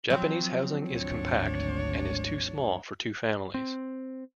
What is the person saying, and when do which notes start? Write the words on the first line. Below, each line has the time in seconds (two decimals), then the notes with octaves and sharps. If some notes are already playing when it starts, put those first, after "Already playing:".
Japanese housing is compact, and is too small for two families.
0.10 F3 F#3 C4
0.90 G#1 D2 D4 C#5
3.54 C4